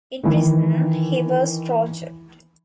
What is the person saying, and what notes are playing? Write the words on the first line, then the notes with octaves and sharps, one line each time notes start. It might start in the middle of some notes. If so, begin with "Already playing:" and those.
In prison, he was tortured.
D#3 E3